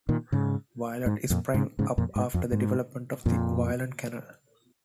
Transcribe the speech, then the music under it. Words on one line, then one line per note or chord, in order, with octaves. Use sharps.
Violet sprang up after the development of the Violet Canal.
A#2 D#3
G#2 C#3
G#2
F2 A#2
G#2 C#3
G#2 C#3
F2 A#2
G#2
F2
G#2
F2 A#2